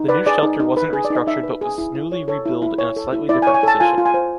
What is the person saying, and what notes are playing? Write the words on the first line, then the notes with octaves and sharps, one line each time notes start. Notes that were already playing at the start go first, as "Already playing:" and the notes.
The new shelter wasn’t restructured but was newly rebuild in a slightly different position.
Already playing: D#4
B4 D5
G#4 D5
D#4
D#4
B4
G#4
D5
D#4
D#5
D#4 E5
B4
G#4
E4
E4
C#5
A4 C#5
E4
E4
C#5
A4
E4
E4 D5
G#5
C#5
G#5
A4 A5
F4 G#5
F4
G#5
C5